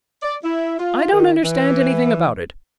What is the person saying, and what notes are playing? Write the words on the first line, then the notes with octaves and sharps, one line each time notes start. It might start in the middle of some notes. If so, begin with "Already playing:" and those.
I don't understand anything about it.
D5
E4
F4
D#3
E3